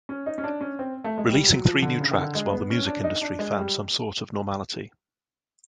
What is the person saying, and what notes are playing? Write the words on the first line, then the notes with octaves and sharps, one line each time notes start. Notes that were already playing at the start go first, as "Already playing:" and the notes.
Releasing three new tracks while the music industry found some sort of normality.
C#4
D#4
C#4
D4
C#4
C4
A3
G#3
G3
F#3
F3
D3
C#3
D#3
D3
G#3
B3
C#4
D4
D#4
D4
G#3
G3